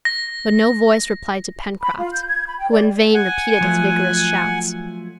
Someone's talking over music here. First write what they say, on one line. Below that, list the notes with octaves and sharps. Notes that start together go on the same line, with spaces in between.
But no voice replied to Pencroft, who in vain repeated his vigorous shouts.
A#6
B5
F4
G6
G#6
B5
G5
D5
F#5 G#5
F3 F#3 A3